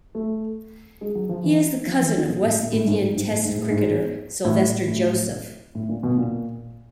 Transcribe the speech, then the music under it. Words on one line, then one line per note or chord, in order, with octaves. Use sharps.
He is the cousin of West Indian Test cricketer Sylvester Joseph.
A3
G#3
F#3
F3
E3
F3
E3
D#3
A#2
A2
A#2
A2
G#2
G#2
G#2
A2
G#2
A2
G#2
A2
A2
A2
A#2
B2
A#2